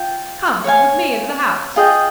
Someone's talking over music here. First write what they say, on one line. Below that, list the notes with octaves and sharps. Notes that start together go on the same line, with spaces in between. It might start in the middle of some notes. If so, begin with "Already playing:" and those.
Come with me into the house.'
Already playing: F4 G5
C#5 F5 G#5
F4 G#4 D#5 G5